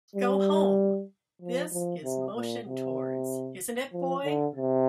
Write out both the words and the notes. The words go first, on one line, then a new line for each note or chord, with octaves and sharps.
"Go home", this is motion towards, isn't it, boy?
G3
F3
F3
C3
A#2
C3
F3
D3
C3